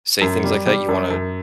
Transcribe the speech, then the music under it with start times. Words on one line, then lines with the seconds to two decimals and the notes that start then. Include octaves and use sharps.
say things like that, you want
0.21 F#2
0.44 G3
0.66 G3
0.89 F#2
1.10 F#2